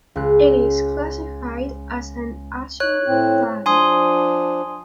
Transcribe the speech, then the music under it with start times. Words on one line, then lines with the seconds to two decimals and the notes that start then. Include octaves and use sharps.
It is classified as an azo dye.
0.16 C#2 F#6
2.80 C#5 F#6
3.07 A2 C4
3.66 F3 D4 G#5 C6 D#6